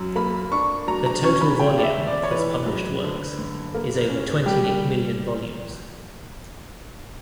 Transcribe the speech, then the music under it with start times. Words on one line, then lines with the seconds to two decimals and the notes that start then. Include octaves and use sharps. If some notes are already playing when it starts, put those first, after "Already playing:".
The total volume of his published works is over twenty-eight million volumes.
Already playing: F#2
0.16 A#3 B5
0.52 D4 C#6
0.87 F#3 A#5
1.06 A#5
1.23 C#4 C#6
1.41 B5
1.59 C#3 G5
1.78 D5
1.83 E5
1.95 E1
2.07 D5
2.23 C#5
2.31 E3 B4
2.66 F#2
3.03 D3
3.39 F#1
3.74 A#3
4.10 C#4
4.46 G3 G4